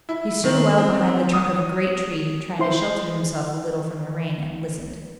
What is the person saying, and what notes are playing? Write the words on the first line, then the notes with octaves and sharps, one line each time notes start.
He stood a while behind the trunk of a great tree, trying to shelter himself a little from the rain, and listened.
E4
D#3
C4
D#6
E4 C5 C6